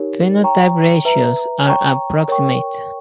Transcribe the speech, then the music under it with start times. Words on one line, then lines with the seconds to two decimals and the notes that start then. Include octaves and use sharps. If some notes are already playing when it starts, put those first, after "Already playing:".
Phenotype ratios are approximate.
Already playing: D#4 G4 A#4 C#5
0.43 C#5 G5 A#5 C#6
1.05 B4 E5 A#5
1.66 C#5 G5 A#5 C#6
2.28 A#4 C#5 G5 C#6